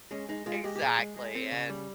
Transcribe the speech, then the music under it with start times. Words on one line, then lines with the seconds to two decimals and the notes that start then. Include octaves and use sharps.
Exactly, and
0.11 G#3 C#4
0.29 G#3 D#4
0.46 G#3 F4
0.64 G#3 G4
0.76 G4
0.82 A#2 G#4
0.99 G#3
1.17 G#3
1.35 C4
1.52 C#3
1.69 G3